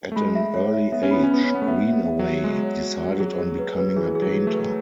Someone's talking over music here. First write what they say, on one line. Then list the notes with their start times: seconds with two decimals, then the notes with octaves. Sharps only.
At an early age Greenaway decided on becoming a painter.
0.12 A3
0.16 G#3 B5
0.35 E5
0.54 C#5
0.73 E5
0.92 B3 E5
1.03 C#4
1.11 B3 B5
1.23 C#4
1.31 B3 B5
1.44 C#4 C#5
1.55 B3
1.62 A3
1.68 B3 E5
1.87 E5
1.93 B3
2.06 E5
2.19 F#3
2.25 E5
2.44 G#3 F#4
2.63 C#5
2.82 F#4
3.02 F#4
3.20 F#3 G#4
3.39 G#4
3.59 B4
3.78 B4
3.96 E3 G#4
4.15 G#4
4.22 F#3
4.35 G#4
4.47 A3
4.53 B4